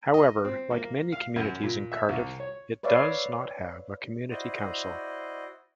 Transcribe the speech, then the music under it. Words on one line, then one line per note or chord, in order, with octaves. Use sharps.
However, like many communities in Cardiff, it does not have a community council.
D#5
C4
A#3
F5
F#2
A#2
E5
C2
C#5
B4 C#5 D5 E5 F5
E4 F#4 C5 D5 D#5